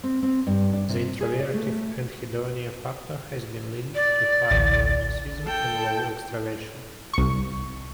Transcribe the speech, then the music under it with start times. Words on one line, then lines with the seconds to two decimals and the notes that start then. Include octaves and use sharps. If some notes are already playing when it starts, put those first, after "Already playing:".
The introvertive anhedonia factor has been linked to high neuroticism and low extraversion.
0.04 C4
0.23 C4
0.47 G2
0.73 D4
0.89 C3
1.21 G#4
1.39 D5
1.54 A3
3.95 D5
4.51 A1 D2
5.44 A4 G5
7.14 C2 C#6